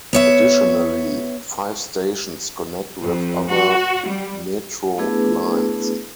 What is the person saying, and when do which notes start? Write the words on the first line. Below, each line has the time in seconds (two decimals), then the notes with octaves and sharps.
Additionally, five stations connect with other metro lines.
0.13 B3 C#5 E5
3.02 F2
3.52 F#4
4.06 G3
4.98 A3 B3 D4 E4 G#4 B4